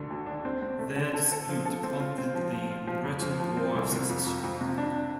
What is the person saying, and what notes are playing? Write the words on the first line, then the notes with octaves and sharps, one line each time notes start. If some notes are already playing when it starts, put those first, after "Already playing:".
Their dispute prompted the Breton War of Succession.
Already playing: D2 D3
D2
D4
C4
C4
A3
D3
A4
A4
F3
A4
C4
F4
C4
F3
F3
F4
F3
F2
F3
F3
C4
C2
C3
F2
F2
F2
C3
D4